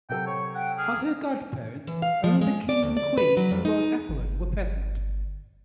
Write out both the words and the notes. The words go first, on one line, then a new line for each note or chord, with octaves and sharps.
Of her godparents, only the King and Queen and Lord Athlone were present.
C3 F#3 A4 G5
C#5
F#5 G5
G#4 F6
E3
F5
F3
G#3
D5
D2
D5
B4
F#3
F2
D#4
G1